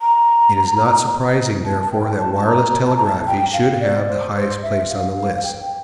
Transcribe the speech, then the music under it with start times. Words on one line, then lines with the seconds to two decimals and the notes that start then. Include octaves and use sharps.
It is not surprising, therefore, that wireless telegraphy should have the highest place on the list.
0.01 A#5
1.64 A5
1.82 A5
1.92 G5
2.18 A5
2.35 A5
2.46 A#5
2.86 A5
2.96 A#5
3.05 A5
3.26 G5
3.53 F5
3.80 D5
4.08 C5
4.35 C5
4.63 E5
4.89 F5
5.16 F5
5.36 F5
5.43 G5
5.66 G5